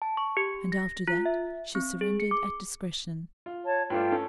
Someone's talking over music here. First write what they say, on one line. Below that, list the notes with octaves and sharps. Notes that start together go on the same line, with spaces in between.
And after that she surrendered at discretion.
A5
C#6
G4
A#6
F4
E5
C4
G#4
C#7
D6
F4
C#5 A5
G2 A3 D4 F4 G5
C#4 A4